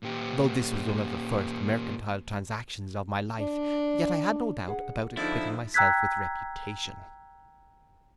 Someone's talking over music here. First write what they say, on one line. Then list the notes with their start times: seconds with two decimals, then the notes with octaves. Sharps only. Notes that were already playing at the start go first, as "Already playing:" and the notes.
Though this was one of the first mercantile transactions of my life, yet I had no doubt about acquitting myself with reputation.
0.03 A#2 G4
3.40 D4
4.68 G#4 B4 F#5
5.17 D3 F3 D#4 E4 D5
5.74 G5 A#5 E6 F#6 G#6 B6